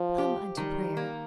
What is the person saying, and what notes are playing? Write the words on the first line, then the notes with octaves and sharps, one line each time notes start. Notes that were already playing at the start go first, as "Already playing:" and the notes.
Come unto prayer!
Already playing: F3
G4
D#3 G3
A#3